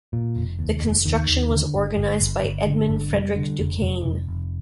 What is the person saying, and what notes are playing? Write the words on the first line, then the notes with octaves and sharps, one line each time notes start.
The construction was organised by Edmund Frederick Du Cane.
A#2
F1
D#2
F1
D#2 D#3
D#2
D3
G1
G1
G1
G1
D3
G1
F1 G3
D3
F1
F1
F1
F1